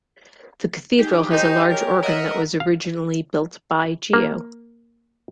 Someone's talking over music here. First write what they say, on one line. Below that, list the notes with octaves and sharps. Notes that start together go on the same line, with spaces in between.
The Cathedral has a large organ that was originally built by Geo.
D#4 G4 G#4
D#4 C5 D#5
A#4 C#5
A#4 D#5 E5 F#5
F5
A#3